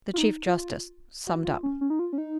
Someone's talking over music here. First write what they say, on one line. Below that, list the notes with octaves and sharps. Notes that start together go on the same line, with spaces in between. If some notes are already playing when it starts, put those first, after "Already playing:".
The chief-justice summed up.
F4
D#4
F4
F#4
F4
C#4
C#4
D#4
F4
C#4
D#4